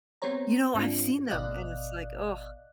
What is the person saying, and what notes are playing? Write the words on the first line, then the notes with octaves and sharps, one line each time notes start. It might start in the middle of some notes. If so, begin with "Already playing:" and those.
You know, I've seen them and it's, like, oh.
B3 C4 G4 C5 C#5 A#5
G#2 C4 D4 F4
G#1 B2 D5 D#5 F5 F#6